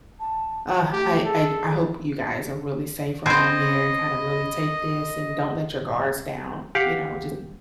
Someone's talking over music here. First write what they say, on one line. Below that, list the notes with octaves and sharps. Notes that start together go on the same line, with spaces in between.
Ah, I I I hope you guys are really safe around there and kinda really take this, and don't let your guards down, you know? Just
A5
A3 G4
G#4 A4
C4 C5 D#5 B5 G#6 C7
G4 F5 F#5